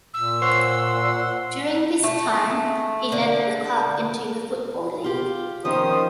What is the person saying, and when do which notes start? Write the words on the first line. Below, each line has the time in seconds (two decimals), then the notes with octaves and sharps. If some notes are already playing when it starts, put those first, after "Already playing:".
During this time, he led the club into the Football League.
0.14 A#2 E6
0.42 C5 C#5 F#5 C6
2.03 A3
3.12 D3
5.04 F4 G4
5.65 D#3 F3 C#4 C5 D#6